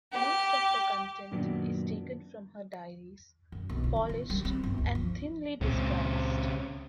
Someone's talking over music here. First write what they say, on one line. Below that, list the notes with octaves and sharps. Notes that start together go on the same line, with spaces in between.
Most of the content is taken from her diaries, polished and thinly disguised.
G4
F#2 A#2 D#3 F#3 B3 D4
F#2
B1
F4
D3
C#3
G3
C4
G1
D2
F3
C#2 A#2 C#3 G#3 C4